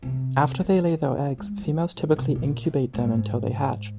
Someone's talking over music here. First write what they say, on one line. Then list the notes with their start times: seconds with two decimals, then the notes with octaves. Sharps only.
After they lay their eggs, females typically incubate them until they hatch.
0.03 C3
0.61 D#3
1.38 G#3
1.58 F3
1.97 G#2
2.16 C3
2.35 A#2
2.94 G#2